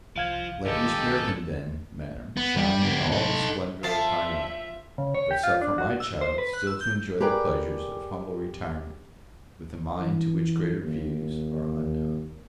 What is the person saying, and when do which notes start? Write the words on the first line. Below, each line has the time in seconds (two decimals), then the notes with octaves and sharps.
Let Miss Mirvan, then, Madam, shine in all the splendour of high life; but suffer my child still to enjoy the pleasures of humble retirement, with a mind to which greater views are unknown.
0.16 C2 F3 F5 G#6
0.66 F#2 D#3 G#3 G4 A4
2.37 B3
2.57 G3 G4
2.83 B3 G4
3.12 D#4 A4
3.83 F3 C5 E5 A5 C6
4.98 C#3
5.15 C#5
5.31 G4
5.43 F4
5.62 D4
5.78 F#4
6.00 E6
6.21 C5
6.38 B4
6.53 F#6
6.67 E6
6.81 G6
7.20 G4 G#4 A#4 B4 D5 G5
10.00 E3
10.82 D#2